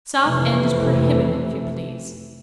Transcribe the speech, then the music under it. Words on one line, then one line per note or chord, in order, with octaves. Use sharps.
South End is prohibited, if you please.
F2 C3 E3 A3